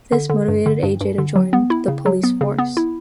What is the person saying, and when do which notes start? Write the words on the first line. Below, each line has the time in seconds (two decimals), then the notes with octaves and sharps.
This motivated Ajay to join the police force.
0.12 D3
0.30 D3
0.48 G2
0.66 D3
0.83 G2
1.01 G2
1.18 D3
1.36 F#3
1.53 B3
1.70 E4
1.88 C#3
2.06 F#3
2.23 B3
2.41 C#3
2.58 B3
2.77 E4